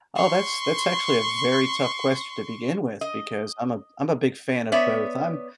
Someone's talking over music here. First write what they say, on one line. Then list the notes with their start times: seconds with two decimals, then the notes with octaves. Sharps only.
Oh, that's that's actually a very tough question to begin with because I'm a I'm a big fan of both. I'm
0.16 C6 C#6
3.01 D#5
4.72 B3 C#5 D5 E5